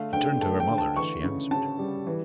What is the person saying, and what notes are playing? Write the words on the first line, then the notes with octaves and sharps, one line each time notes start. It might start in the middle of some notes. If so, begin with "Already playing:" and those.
She turned to her mother as she answered.
Already playing: D3 A3 F5
D3 G5
A3 A5
G5
D3
A5
E3 C#6
C#3
C#3 A5
G3
E3